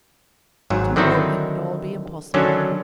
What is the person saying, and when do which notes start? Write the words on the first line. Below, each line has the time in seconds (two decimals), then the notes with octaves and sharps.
To-morrow it would all be impossible.
0.70 G#1 G#2 F#3
0.96 D3 D#3 F#3 C4 D#4 E4
2.34 D3 D#3 F#3 C#4 D4 A4